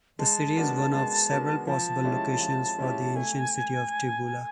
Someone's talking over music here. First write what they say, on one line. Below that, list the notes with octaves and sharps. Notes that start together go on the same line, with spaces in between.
The city is one of several possible locations for the ancient city of Tibula.
G#3 A5
B3 D4 F#4 A#4
G#3
B3 D4 F#4 A#4
F3 A5
G#3 C#4 E4 G4
F3
G#3 C#4 E4 G4
A3 G#5